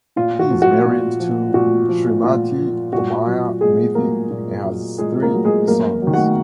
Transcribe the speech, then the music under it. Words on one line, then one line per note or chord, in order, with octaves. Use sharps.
He is married to Shrimati Pomaya Mithi and has three sons.
A#2 F4
F#4
F3
F#4
A#2
F3
A#2 F#4
F3
A#2 F4
F3
A#2 F#4
F#3
A#2 G#3 G#4
F#3 A#3 A#4
A#2
F#3
A#2 G#3 G#4
A#3 A#4
F#3
G#3 G#4
F#2 A#3 A#4
F#3
D#3
F#4 F#5